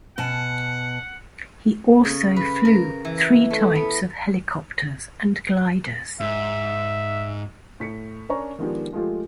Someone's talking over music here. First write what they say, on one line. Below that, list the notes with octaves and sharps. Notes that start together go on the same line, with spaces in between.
He also flew three types of helicopters and gliders.
B2 F#5 G#5 A5
C#3
B4
A#4
E3
A3
B3
G#2 E5
A2 B6 C#7
C#4 D4 A#4 C#5 A#5 C#6
D#3 F3 G#3 B3 D4 G4
F3 G#3 A3 F4 G4